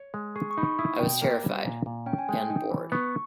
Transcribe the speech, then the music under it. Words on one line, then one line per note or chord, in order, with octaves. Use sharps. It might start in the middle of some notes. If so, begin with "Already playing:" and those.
I was terrified -- and bored.
Already playing: C#5
G#3
G#4 C#6
C#6
D#4 B5
C#6
E4 D#6
B2 G5
A#3
G3
A#2
A#2
C#4 G5
G#5
G#3 G5
D#4
E3
B3 C#6